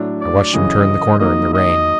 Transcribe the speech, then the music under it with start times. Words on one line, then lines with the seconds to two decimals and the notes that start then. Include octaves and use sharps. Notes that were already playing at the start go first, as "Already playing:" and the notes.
I watched him turn the corner in the rain.
Already playing: A2 F#3 A3 D4
0.21 D5
0.53 F#2 C#3 E3 D#5
1.20 D#3 F#3 A#3 D#5
1.53 D#5